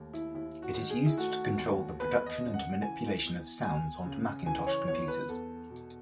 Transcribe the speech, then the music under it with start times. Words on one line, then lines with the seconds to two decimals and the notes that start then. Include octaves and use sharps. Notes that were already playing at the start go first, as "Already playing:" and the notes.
It is used to control the production and manipulation of sounds on Macintosh computers.
Already playing: D#2 A3
0.13 E4
0.34 D#2 E4
0.62 F#4
0.76 D#3
0.90 G#4
1.06 E4
1.17 A3 F#4
1.59 D#2
1.99 E2 B4
2.26 D#5
2.41 C#3
2.54 F#5
2.82 E3 G#5
3.23 B3
3.64 E2 G#5
4.06 C#3
4.46 E3 G#5
4.67 C#5
4.88 B3 C#5
5.08 B4
5.29 E2 A4
5.70 B2